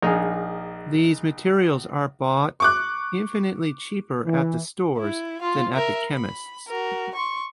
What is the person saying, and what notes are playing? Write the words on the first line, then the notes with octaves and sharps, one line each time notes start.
These materials are bought infinitely cheaper at the stores, than at the chemists.
A#1 D#4 G#4 A#4
C#6 D6 F#6
E3
E4
F4 F5
A#4 E5
B5
F#4 A#4
C6 C#6